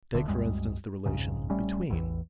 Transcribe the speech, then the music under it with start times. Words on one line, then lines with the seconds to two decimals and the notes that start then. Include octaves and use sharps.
Take, for instance, the relation 'between'.
0.14 D1 D2 D3
0.28 C2 F#2 G3 G#3
1.06 B1 F2 G#2 C#3
1.50 A#1 G3 A3 C#4
1.90 A1 E2 E3